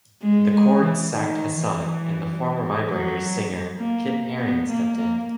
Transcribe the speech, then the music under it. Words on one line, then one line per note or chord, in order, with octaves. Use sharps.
The Chords sacked Hassett, and the former Vibrators' singer Kip Herring stepped in.
G#3
G#3
E3
D#3
E3
F#3
A#3
B3
A#3
A#3